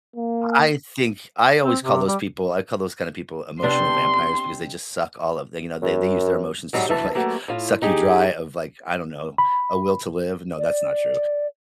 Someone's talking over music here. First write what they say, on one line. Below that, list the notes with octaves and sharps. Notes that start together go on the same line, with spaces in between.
I think I always call those people I call those kind of people emotional vampires because they just suck all of the you know, they they use their emotions to sort of, like, suck you dry of, like, I don't know, a will to live. No, that's not true.
A#3
C4
C3
G3
C3 B3 D4 C6
F#2
G#2 F#3 G3
D2 E3 E5 A5
F#3 A3 A#3
A2 F4
D#4 G4 G#4
B5
D5